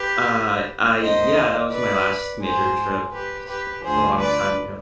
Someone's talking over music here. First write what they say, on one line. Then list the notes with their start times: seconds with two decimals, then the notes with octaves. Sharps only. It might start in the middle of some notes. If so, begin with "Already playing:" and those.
Uh, i I Yeah, that was my last major trip s a long time ago,
Already playing: G4 B4
1.01 D#2 D#3 C5 D#5
1.71 B4 D5
2.43 G#2 F3 G#4 C5
3.13 G4 B4
3.48 G4 B4
3.83 D2 D3 F3 G#4 C5
4.19 B4 D5